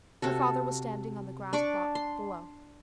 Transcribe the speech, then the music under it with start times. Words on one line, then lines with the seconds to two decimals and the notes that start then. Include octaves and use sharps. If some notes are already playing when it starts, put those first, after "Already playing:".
Her father was standing on the grass-plot below.
0.22 C3 F#4 A4
1.53 D4 D5 C#6 D6
1.95 C6